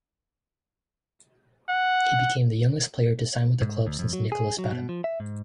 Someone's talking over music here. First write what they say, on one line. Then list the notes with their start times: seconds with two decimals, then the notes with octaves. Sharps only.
He became the youngest player to sign with the club since Nicolas Batum.
1.69 F#5
3.62 G#2
3.87 D2
3.99 F2
4.13 F#3
4.32 G#4
4.59 F#3
4.72 B2
4.89 F3
5.04 E5
5.20 G#2